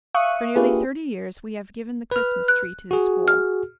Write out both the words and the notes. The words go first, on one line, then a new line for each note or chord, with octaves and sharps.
For nearly thirty years we have given the Christmas tree to the school.
E5 F5 C#6 D#6 F#6 D#7
A#3 D4 F4 G4 G#4 B4
B4 F6
F#6
F#4 G#4
F6